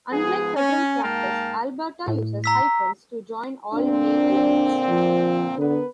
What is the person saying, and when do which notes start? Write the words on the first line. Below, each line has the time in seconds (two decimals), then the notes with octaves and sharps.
Unlike federal practice, Alberta uses hyphens to join all name elements.
0.12 G#2 F3 B3 G#4
0.56 C#4
1.04 G#2 A#3 F5 G5 A5 A#5
2.08 A2
2.44 A#5 E6 B6
3.74 A#2 D3 C4 D4
4.89 F3
5.58 D3 B3 A#4 B4